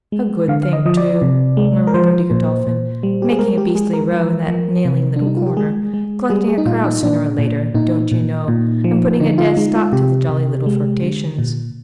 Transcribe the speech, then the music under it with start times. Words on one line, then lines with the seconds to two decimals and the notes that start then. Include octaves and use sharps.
"A good thing, too!" murmured Bertie Godolphin, "making a beastly row in that 'nailing' little corner, collecting a crowd sooner or later, don't you know, and putting a dead stop to the jolly little flirtations."
0.12 G#3
0.48 D3 F5
0.63 F5
0.73 D#5
0.85 F3 D#5
0.97 D5
1.22 C3
1.57 G#3
1.87 A#4
1.94 F3 C5
2.31 A#2
2.67 A#2
3.03 G3
3.22 G4
3.30 G#4
3.39 G#3 A#4
3.58 G4
3.75 G#3 G#4
3.93 A#4
4.12 F3
4.48 F3
4.85 C3
5.16 G3 D4
5.27 D#4
5.37 F4
5.47 G4
5.57 G#3 G#4
5.94 G#3
6.29 G3 G#4
6.48 G#4
6.58 D#4
6.65 A#2 F4
6.84 D#4
7.03 A#2 D4
7.38 A#2
7.74 A#2 D#4
8.12 A#2
8.48 A#2
8.84 F3
9.20 D3 D#4
9.38 F4
9.57 G#3 D#4
9.75 F4
9.92 C3 G4
10.29 C3
10.66 G#3
11.02 D3
11.39 A#2